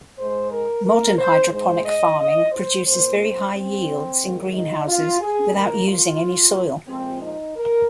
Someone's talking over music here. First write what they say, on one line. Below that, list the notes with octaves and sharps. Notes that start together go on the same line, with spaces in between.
Modern hydroponic farming produces very high yields in greenhouses without using any soil.
G#2 G#3 C5
A#4
A#4
C5
G#2 G#3 C5
D#5
D#5
C5
A#2 A#3 C5
C5
C4
D#2 D#3 G#3
D#4
F4
G#4
D#2 D#3 A#3 A#4
F4
A#2 F3 G#3 C4
D#4
A#4